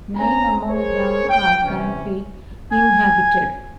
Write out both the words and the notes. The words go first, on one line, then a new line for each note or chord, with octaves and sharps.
Nine among them are currently inhabited.
C4 C#4 G#5 A#5
G#4 A#4 C5 C#5
G5
C3 E3 C#4
G#5